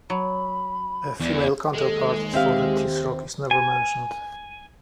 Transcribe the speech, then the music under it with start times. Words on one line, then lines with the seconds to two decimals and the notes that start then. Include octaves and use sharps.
A female counterpart for the Tisroc is never mentioned.
0.10 F#3 B5
1.21 E2 D5
1.74 D#2 G#3 A4
2.34 C4 G4 E5 F5
3.51 G#5